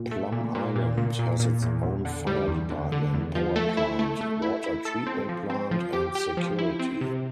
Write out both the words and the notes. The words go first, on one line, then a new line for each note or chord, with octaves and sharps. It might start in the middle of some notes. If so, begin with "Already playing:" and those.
Plum Island has its own fire department, power plant, water treatment plant and security.
Already playing: A#2
A3
A#2
A#2
A#2
A#2
A#2
A#2
E2
E2
D3
G3
E2
D3
D3
E2
F3
A3
E4
A3
A3
E4
E4
A4
C4
F3
C4
F3
G4
G4
F3
E4
C4
C3